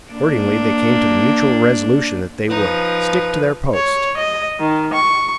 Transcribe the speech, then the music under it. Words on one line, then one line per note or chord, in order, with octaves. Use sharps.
Accordingly, they came to the mutual resolution that they would "stick to their post."
A#3 D4
F3 D#4 B4
C#5
D#5
D#3
C#6